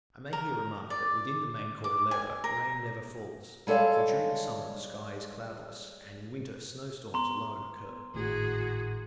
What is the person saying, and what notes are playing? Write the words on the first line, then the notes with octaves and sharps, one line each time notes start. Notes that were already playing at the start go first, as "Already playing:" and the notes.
I may here remark that within the main Cordillera rain never falls, for during the summer the sky is cloudless, and in winter snow-storms alone occur.
A#4
D5
D6
G#5
A#4
G3 G#3 A4 C#5 F5
B3 A#5 C6
G#1 A2 F#4 G#4